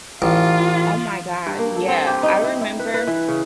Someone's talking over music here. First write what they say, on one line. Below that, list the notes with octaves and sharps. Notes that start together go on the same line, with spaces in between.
Oh my god, yeah, I remember
A1 F4
G2
A#3
A4
C4
G4
D#4
E4
E4
B4
B4
E3
C#3